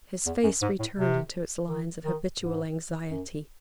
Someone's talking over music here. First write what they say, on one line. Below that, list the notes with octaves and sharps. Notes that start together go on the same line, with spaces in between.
His face returned into its lines of habitual anxiety.
E2
F#2
G#2
A2
C3
D#3
D#3
G#2
F#2